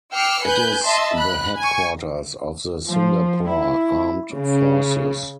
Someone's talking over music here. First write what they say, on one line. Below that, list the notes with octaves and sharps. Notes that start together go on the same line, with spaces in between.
It is the headquarters of the Singapore Armed Forces.
G5 D6 E6 F6 C7 C#7
B4 G#5 F#6 G6
D#5 E5 A5 C6
B5 F#6
G#5 C#6
F3
E4
C#3